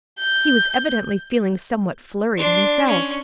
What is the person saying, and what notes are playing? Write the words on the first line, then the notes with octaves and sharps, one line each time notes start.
He was evidently feeling somewhat flurried himself.
G6
D4 C6
C#4